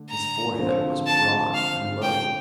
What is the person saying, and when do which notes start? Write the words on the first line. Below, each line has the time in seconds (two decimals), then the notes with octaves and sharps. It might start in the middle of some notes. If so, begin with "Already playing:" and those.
His forehead was broad and low.
Already playing: D3 A3
0.10 A#5
0.58 D3 F3 C4
1.07 A5
1.54 F5
2.02 G5